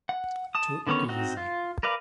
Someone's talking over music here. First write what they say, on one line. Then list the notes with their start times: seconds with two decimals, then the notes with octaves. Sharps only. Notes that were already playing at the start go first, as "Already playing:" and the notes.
Too easy.
0.09 F#5
0.55 A5 D#6
0.87 D3 D#3 B3 C#4 C#5
1.09 C4 D#4 F#4
1.37 F4
1.83 A#4 B4 D5 F5